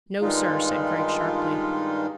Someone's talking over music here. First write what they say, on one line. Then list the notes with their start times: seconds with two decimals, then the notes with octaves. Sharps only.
"No, sir," said Griggs sharply.
0.21 G2 D#3 G3 G#3 D#4 F4